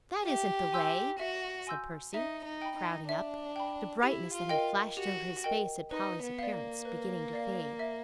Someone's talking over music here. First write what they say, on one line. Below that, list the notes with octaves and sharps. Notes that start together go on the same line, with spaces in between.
"That isn't the way," said Percy, crowding up, the brightness that had flashed over his face at Polly's appearance beginning to fade.
G4 E5
G#5 C6 E6 G6
F#4 E5
G#5 C6 E6 G6
D#4 E5
D#4
G5 B5
D#4
D4 E5
G5 B5
E4 G4
F4
A#4 D#5 G5
F#4 G4
A#4 D#5 G5
D#4 B4
B3
D5 F5
A#3
B4
D5 F5
E5